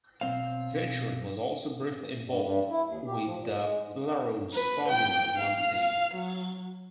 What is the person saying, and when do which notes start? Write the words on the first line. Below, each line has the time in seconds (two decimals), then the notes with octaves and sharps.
Venturi was also briefly involved with the Larrousse Formula One team.
0.21 B1 C4 C5 F5
2.24 G2
2.42 G2
2.70 E4
2.86 D#2
3.07 G4
3.25 F3
3.38 A#2
3.54 G#3
3.83 G#2
4.53 B4
4.89 G5
5.39 F5
6.15 F#3